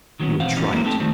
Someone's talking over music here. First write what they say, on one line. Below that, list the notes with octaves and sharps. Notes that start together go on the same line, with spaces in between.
He would try it.
D#3 F#3 A#3 B3 C#4
B1 E3 C4 C5 F5 F#5
E3 F#3 G3 B3 C#4 D#4
E2 F#3 G#3 A#3 E4 F#4
A3 B3 C4 D#4 G4 A4
D#3 F3 G3 A3 C4